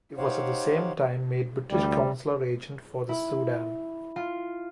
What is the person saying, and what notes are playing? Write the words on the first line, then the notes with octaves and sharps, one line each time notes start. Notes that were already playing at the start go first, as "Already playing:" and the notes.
He was at the same time made British consular agent for the Sudan.
D#4 G4 C5 C#5 F5 F#5
D2 G3
E4
F4